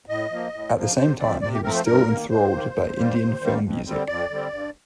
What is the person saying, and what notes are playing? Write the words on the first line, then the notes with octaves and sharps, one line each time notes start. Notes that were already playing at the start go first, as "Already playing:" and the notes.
At the same time, he was still enthralled by Indian film music.
A2 D#5
F3 A#3
A2
F3 A#3
C3 C5
F3 A3 C4 D5
C3 D5
G4
F3 A3 C4 A#4
C5
G2 A#4
D#3 A#3
G2 C5
D#3 A#3
D#2
D#3 G3 A#3
D#2
D#3 G3 A#3
F2
D3 G3 C4
F2 D5
D3 G3 C4
G2